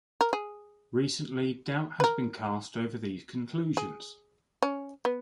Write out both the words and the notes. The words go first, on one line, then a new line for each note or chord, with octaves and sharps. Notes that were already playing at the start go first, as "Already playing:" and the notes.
Recently, doubt has been cast over these conclusions.
A#4
G#4
B4
A#4
G#4
C#4
B3